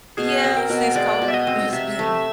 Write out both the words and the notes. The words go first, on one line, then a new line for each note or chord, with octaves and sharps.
Yeah, since COVID, it's been
B2 G#4
C4
A#4
B2
G#3 D5
B2
E5
D#5
C4
C3 E5
A3